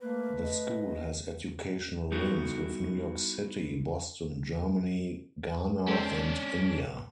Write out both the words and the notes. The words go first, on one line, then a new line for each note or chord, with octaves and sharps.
The school has educational links with New York City, Boston, Germany, Ghana, and India.
A3 A#3 B4
D#5
G3 B3 D#4 E4 F#4 A4
G#3 C#4 D4 A4 C5